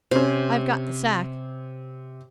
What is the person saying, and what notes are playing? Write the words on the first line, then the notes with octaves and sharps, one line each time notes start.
I've got the sack.
C3 C#4 C5